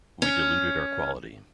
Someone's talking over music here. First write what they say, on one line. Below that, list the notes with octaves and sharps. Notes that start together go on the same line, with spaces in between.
We diluted our quality.
C#4